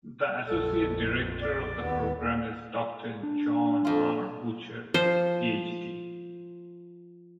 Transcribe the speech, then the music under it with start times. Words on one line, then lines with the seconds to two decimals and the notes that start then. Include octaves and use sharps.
The Associate Director of the Program is Doctor John R. Bucher, Ph.D.
0.48 A#1 F2 A4
1.42 D5
1.78 D#2 B3
3.23 D4
3.85 F2 F4
4.94 F3 C5